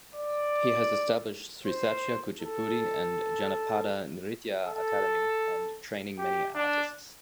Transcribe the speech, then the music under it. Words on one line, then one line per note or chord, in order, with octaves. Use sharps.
He has established Sri Satya Kuchipudi and Janapada Nritya Akademy and training many artists.
D5
C5
A4
A4
G4
D4